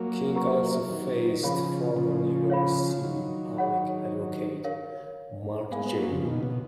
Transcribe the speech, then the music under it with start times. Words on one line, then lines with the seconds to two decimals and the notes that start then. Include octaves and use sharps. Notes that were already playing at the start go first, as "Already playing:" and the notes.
King also faced former New York City Public Advocate Mark J.
Already playing: F#3 A#3
0.36 B4 F#5 A#5 C#6
0.89 D#3 F#3
1.43 C#3 F3 G#4 C#5 F5 B5
1.96 C#3 F3
2.50 C#5 F5 B5
3.03 D#3 F#3
3.57 G#4 C#5 F#5 B5
4.64 A#4 C#5 F5
5.71 G#3 B3 A#4 F5 G#5 B5
5.86 G#3 B3
5.98 F#3 A#3
6.12 C#3 F3
6.25 B2 D#3
6.43 B2